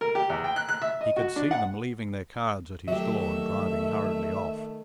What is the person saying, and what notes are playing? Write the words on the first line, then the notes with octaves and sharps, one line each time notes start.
He could see them leaving their cards at his door and driving hurriedly off.
A#4
G4
E2
G5
F#6
F#6
E5
D#5
F#4
D4
F#5
D#3 F#3 A3 G4 E5